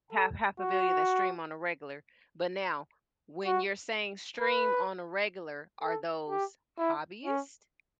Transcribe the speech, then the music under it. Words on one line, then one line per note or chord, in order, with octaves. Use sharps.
half half a billion that stream on a regular. But now, when you're saying stream on a regular, are those hobbyist,
A4
F#4
F#4
B4
A4
G4
E4
C#4